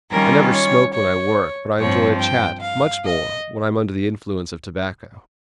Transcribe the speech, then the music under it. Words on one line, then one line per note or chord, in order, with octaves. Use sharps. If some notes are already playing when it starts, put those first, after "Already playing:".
I never smoke when I work, but I enjoy a chat much more when I am under the influence of tobacco.
D#3 G3 C#4 F4 A#4
C#5
C#5
G2 F3 C4 C#5
G5
F5
D#5